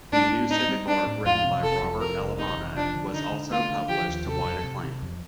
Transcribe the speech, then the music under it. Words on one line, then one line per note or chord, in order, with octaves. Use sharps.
The New Civic Art, written with Robert Alminana, was also published to wide acclaim.
A2 D4
A2
C4 D#4
G3
C4 D4
A2
F2 F4
C3
F1 A4
F2
C3 A#4
F1
C3 D#4
F1
F3 D4
D3
D3 D#4
D3
A3 F4
D3
F3 G4
D#2
C3 A4
F2
C3
C3
F2